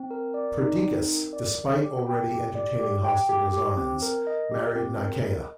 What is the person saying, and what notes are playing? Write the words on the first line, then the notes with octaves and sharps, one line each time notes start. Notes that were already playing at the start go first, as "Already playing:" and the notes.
Perdiccas, despite already entertaining hostile designs, married Nicaea.
Already playing: C4
A#4
D5
D#4
C4
A#4
D5
D5
G4
G5
G4
D5
G4
G5
G4
G4
C4
A#4
D#5
G4
C4
A#4
D#5